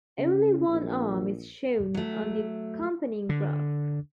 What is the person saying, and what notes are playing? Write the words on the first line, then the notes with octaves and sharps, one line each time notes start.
Only one arm is shown on the accompanying graph.
C#3
A#1
F#3 A3
D3